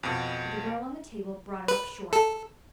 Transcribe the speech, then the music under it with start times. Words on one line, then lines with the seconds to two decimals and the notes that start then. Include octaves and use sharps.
But the girl on the table brought her up short.
0.03 F2 B2
1.68 B4
2.13 A4